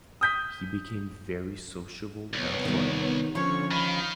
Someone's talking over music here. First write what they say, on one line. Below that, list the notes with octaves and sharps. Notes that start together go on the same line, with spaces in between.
He became very sociable and funny.
D#6 G6 B6
C2 B3 C#5
D#3 G3
D3 F3 C#4 C#5 C#6
D#3 F5 B5